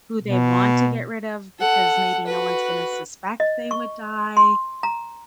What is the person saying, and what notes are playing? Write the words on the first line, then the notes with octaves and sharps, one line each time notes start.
who they want to get rid of, because maybe no one's gonna suspect they would die,
B2
A4 F#5
F#4 B4
D#5
C#6
C6
A#5